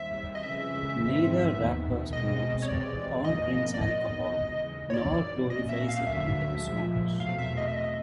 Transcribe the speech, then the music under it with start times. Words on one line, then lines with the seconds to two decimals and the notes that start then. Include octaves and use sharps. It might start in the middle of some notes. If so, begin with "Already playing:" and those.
Neither rapper smokes or drinks alcohol, nor glorifies it in their songs.
Already playing: D#2 D#3 G3 C4 E5
0.35 D#5
0.43 F2 C#3 E3 G#3 C#4 E5
0.99 G#2 E3 G#3 C4
1.56 D#2 D#3 F#3 B3
2.12 B2 G#3 C4 D#5
2.62 C#5
2.68 C3 E3 G#3 C4 D5
3.24 G#2 F3 A#3 C#4 D#5
3.74 D5
3.81 E2 C3 D#3 F#3 B3 D#5
4.37 D#2 C#3 E3 G#3
4.90 C#5
4.94 F#2 D#3 F#3 D5
5.50 A#2 F#3 A#3 C#4 D#5
5.69 E5
5.88 F5
6.07 D2 D3 F#3 A3 E5
6.63 A#2 F3 G#3
7.20 E2 B2 F#3 A3 C4 F5
7.38 E5
7.57 D#5
7.68 E5
7.76 D#5